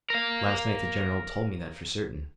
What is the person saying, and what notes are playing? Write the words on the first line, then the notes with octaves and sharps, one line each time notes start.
Last night the General told me that for certain.
A#4 F5